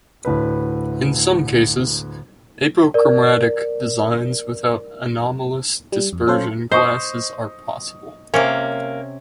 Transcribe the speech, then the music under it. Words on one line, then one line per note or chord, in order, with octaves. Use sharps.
In some cases, apochromatic designs without anomalous dispersion glasses are possible.
D2 A2 D3 B4
A#4 D5
G3
F2
F#3 C#4 A4 C5 C#5 F5
C5 D#5 C#6 D#6
C3 A#3 C#4